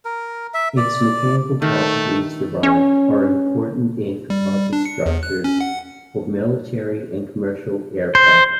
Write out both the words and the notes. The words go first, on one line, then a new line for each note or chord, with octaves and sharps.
Its mechanical properties derived are important in composite structures for military and commercial aircraft.
A#4
E5
D5
D#3 A3
C#4
G3
D4
C#7
E2
F#6
C#4
F#5
C5